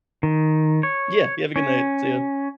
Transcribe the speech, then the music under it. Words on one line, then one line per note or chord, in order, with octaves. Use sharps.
Yeah, you have a good night. See you.
D#3
C#5
C#4